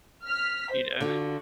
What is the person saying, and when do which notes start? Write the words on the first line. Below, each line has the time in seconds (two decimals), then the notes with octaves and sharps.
you know?
0.24 F6 B6
0.71 C5
1.01 D3 F4 F#4